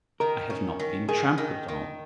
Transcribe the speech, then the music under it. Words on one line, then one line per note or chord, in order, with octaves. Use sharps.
I have not been trampled on.
D#3 A#4
C#4
D#3
D#3 G#4
D#3
D#3